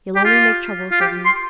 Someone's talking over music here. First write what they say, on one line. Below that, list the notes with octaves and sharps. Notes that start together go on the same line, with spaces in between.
You'll only make trouble, Sidney.'
G4
F4
F4
G4
C6